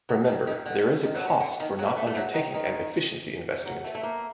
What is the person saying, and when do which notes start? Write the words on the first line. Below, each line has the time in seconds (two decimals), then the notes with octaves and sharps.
Remember there is a cost for not undertaking an efficiency investment.
0.09 F#3
0.28 D#3
0.47 D#3
0.66 D3
1.03 D#3
1.16 F#3
1.28 D#3
1.40 D3
1.60 D#3
1.79 F#3
1.87 G3
1.97 A3
2.07 A3
2.16 F#3
2.34 D#3
2.54 D#3
3.66 F#3
3.84 A3
3.95 A3
4.03 A#3